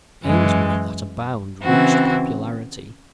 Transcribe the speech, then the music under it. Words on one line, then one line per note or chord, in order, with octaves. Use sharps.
Ainsworth at a bound reached popularity.
F#2 E3 G#3
C#3 E3 C4 F#4